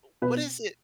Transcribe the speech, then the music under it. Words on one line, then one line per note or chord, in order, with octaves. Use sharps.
u what is it
B2 B4